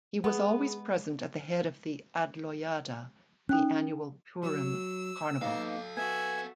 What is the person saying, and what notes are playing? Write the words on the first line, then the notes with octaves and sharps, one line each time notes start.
He was always present at the head of the "Adloyada", the annual Purim carnival.
G#3 B3 G#4
C#4 D#4 G5 F#6
F#3 E6
A#3 B3 D#4 A4 F5
B3 F#4 E5 G#5